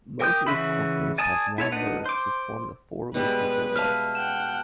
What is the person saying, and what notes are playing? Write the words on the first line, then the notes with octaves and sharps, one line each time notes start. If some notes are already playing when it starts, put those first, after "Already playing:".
Most of these companies have now merged to form the four listed below.
A#4 G5 D6 D#6 G6
C#3 E3 F#4 E5 B5
D5 G#5 A5 D#6
E4 A4 C#5
D4 D#4 B4 F#5
C5 D6
B2 G3 G#3 B4
E5 F5 A5 F6
F#5 G5 E7